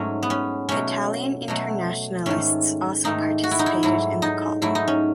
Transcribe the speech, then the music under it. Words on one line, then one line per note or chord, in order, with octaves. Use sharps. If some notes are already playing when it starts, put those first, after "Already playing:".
Italian internationalists also participated in the column.
Already playing: G#2 F#3 A3 C#4
B3
C#4
B2 F#3 A3 C#4
B2 F#3 A3
G#2 D#3 A3 C#4
G#2 D#3 A3 D#4
F#4
E4
D#4
E4
G#2 F#3 A3 E4
D#4
G#2 F#3 A3 E4
D#4
C#4